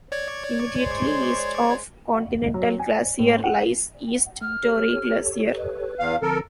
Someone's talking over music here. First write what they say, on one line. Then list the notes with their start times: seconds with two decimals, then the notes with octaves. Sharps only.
Immediately east of Continental Glacier lies East Torrey Glacier.
0.12 C#5 D5 G#6
0.80 G#3 C5
2.54 F#3
2.80 G#5
3.19 A2
3.44 F#5
4.41 A3 F6
4.63 G4 A4 C#5
5.54 B4
5.99 E2 F5
6.22 D3 F3 C4 A4 A#4